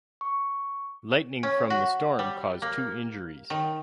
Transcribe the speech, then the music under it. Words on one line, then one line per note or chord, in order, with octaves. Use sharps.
Lightning from the storm caused two injuries.
C#6
C#4
F#4
G3
A#3
D#3